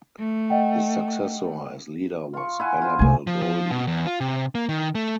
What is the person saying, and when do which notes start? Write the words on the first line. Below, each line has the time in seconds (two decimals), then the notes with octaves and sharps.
His successor as leader was Annabel Goldie.
0.19 A3
0.50 D#5 F#5 G5
2.33 F4 C#6
2.60 E4 F#5 G#5
2.82 F4 C5
2.99 C2 A3 G#5
3.27 F3
3.42 F3
3.71 B2
3.87 E2
4.07 F4
4.21 C3
4.55 A#3
4.69 D#3
4.95 A3